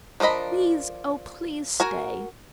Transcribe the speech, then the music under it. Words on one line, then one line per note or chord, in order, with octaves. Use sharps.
Please, oh! please stay.'
F3 D4 A#4 D#5 B5
F#4 A#4 G#5